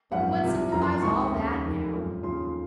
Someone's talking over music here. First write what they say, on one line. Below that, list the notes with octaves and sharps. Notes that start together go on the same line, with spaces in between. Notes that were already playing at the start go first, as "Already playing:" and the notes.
But what signifies all that now?
G#1 F#2 F3 F#5
C2 C3 F3
F#1 F#2 F3 A#5
C6
C6
C#2 C3 D#3 C#6
F1 D#2 C#3
F1 F2 D#3
G#1 F#2 F3
D#2 C#3 F3 C6